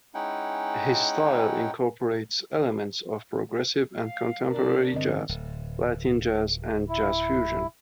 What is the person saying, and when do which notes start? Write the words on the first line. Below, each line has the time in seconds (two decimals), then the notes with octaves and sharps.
His style incorporates elements of progressive and contemporary jazz, Latin jazz, and jazz fusion.
0.14 G#3 C#4 D#4 E4 F#5 G5
4.04 F5
4.47 B2 D4 A#4
4.94 G2 D3 C4 D#5
5.29 D1
6.89 E4